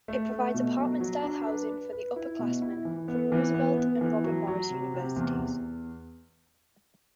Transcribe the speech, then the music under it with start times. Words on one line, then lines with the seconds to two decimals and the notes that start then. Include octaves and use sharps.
It provides apartment-style housing for upperclassmen from Roosevelt and Robert Morris Universities.
0.08 A3
0.31 A3
0.54 B2
0.78 F#3
1.00 F#3
1.23 D4
1.47 B4
1.70 B4
1.93 B4
2.16 E4
2.39 B2
2.62 E4
2.85 E3
3.08 B3
3.32 E3
3.54 B3
3.77 B3
4.01 E3
4.24 F#3
4.47 F#3
4.70 C3
4.94 C3
5.16 E2
5.39 E2